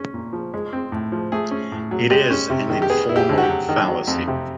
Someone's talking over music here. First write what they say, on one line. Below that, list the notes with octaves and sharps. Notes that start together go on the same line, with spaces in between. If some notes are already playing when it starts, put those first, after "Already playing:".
It is an informal fallacy.
Already playing: C#4
A#2
F3
G#3
C4
A2
F3
A3 G#4
C#4
A2
F#3
G#3 G4
C#4
C3
D#3
G4
B3 G#4
E4
G4
D3
F#4
G4
F#3
D#3
F#3
F2
C3